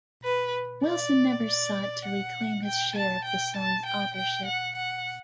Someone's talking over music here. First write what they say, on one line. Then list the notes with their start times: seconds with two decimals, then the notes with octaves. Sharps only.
Wilson never sought to reclaim his share of the song's authorship.
0.24 B4
0.85 D5
1.45 D5
2.05 F#5
2.65 G5
2.96 A5
3.25 G5
3.56 A5
3.85 G5
4.16 G5
4.45 F#5
4.76 F#5